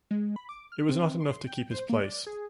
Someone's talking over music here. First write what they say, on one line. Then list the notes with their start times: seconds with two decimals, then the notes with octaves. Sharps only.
It was not enough to keep his place.
0.11 G#3
0.36 B5
0.49 D6
0.72 F6
0.89 C4
1.20 C6
1.47 G5
1.71 C5
1.89 A#3
2.01 D5
2.26 G#4